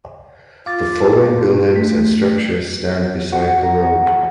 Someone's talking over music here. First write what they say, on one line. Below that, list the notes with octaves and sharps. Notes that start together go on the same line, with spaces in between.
The following buildings and structures stand beside the road.
F4 F5 D6 A6
A3 B6
F#4
A#5